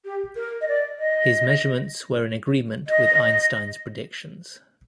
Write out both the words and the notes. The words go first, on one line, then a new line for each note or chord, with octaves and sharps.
His measurements were in agreement with Einstein's predictions.
G4
A#4
D#5
D5
D#5
D#5